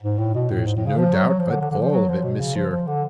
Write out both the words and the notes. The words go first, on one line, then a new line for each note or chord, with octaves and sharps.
"There is no doubt at all of it, monsieur."
G#2
A2
B2
A2
G#2
A2
C#3
F3
F#3
F#3
F3
D3
D3
D3
F3
F#3
F3
B2
C#3
F3
F3
D3